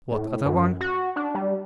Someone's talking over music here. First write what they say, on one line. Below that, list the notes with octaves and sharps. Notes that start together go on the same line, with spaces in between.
"What other one?"
A2
F#2
F#4
D4
G3